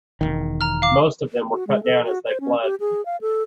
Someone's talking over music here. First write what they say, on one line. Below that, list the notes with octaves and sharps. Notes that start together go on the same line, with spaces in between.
Most of them were cut down as they fled.
E1 B1 D#3
A#5 F6
F5 D6
F#4
G#3
A4
F#4
C5
C#4
G4
G#4
F5
A4